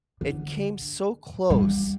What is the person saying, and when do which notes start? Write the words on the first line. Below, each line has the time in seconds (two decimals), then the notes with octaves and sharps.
It came so close
0.21 D3
1.50 G3